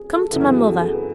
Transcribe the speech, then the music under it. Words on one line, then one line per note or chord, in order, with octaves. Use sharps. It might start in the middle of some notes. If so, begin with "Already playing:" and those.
Come to my mother.
Already playing: G#4
A4
F#2 C#3 E3 B3 E4 G#4
F#4
A4
G#4
A4
B4